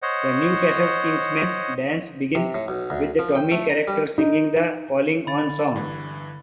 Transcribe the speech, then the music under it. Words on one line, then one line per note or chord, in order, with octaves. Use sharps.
The Newcastle Kingsmen's dance begins with the Tommy character singing the "Calling On Song".
C5 C#5 D#5 F#5
C3
A2
B1
D2
F3
G5
A3
A#5
G3
D#4
D3 B5 A6
G2 E3